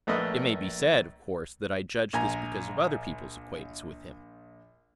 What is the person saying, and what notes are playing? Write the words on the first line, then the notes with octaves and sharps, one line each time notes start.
It may be said, of course, that I judge this because of other people's acquaintance with him.
A#1 A3 A#3 B4 D#5
A#1 G#5 A#5